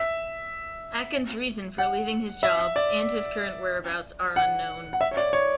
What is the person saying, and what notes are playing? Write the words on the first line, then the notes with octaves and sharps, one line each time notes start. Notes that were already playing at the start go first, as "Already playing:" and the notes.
Akins' reasons for leaving his job and his current whereabouts are unknown.
Already playing: E5
F#5
E5
D5
F#5
F#5
E5
C#5
D5
C#5